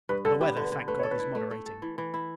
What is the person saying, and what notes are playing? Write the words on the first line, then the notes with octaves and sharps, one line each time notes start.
The weather, thank God, is moderating.
G2 B4
D3 A4
B3 G4
D3
B4
D3
A3 B4
A4 C#5
B4
E4
A3
A3
A4
E3
E3
E4